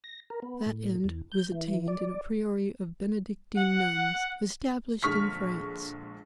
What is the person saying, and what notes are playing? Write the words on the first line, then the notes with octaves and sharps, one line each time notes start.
That end was attained in a Priory of Benedictine Nuns, established in France.
A#6
A#4
B3
A2
E2
G6
E3
D5
F#5
A#1 D3 G#3 C#6 F6 B6